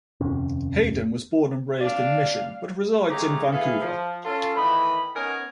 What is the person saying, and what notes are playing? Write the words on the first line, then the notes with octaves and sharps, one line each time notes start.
Hayden was born and raised in Mission, but resides in Vancouver.
D#1 F2 C3 C#4
D4 D5 F5
G#2 C#3 A3 G4 G#4 A#5
E4 G#4 A4 B4 F5
F3
C#4 F4 A4
D#3 E3 A3 D#5 B5
B3 C#4 D#4 A#4 G#5